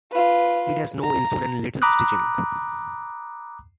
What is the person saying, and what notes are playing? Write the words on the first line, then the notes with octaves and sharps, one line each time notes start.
It has no insole and little stitching.
F4 B4
A#5
A#5 B5 D6 D#6 F#6